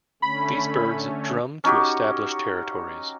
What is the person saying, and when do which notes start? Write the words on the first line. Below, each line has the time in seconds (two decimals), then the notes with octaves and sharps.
These birds drum to establish territories.
0.22 D3 A3 C#4 B5
1.64 C#4 D#4 F#4 G4